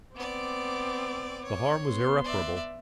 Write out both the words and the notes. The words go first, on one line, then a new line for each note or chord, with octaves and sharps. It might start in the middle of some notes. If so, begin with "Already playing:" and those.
The harm was irreparable.
B3 C4 D5 D6
C#5
B3 C6
D5 E5